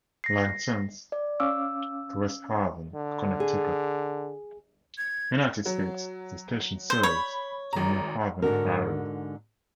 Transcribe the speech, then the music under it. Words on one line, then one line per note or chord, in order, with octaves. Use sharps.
Licensed to West Haven, Connecticut, United States, the station serves the New Haven area.
A#6 C7
D5
C#4 F5 D6 E6
D3
G#4
G#6
F#3
C5
C#5 B5
G#1 A#5
G#2 D3 D4 F#4 A#4